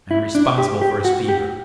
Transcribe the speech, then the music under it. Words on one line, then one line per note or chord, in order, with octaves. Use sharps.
I am responsible for his fever.
E4
D4
G4
G4
F#4
G4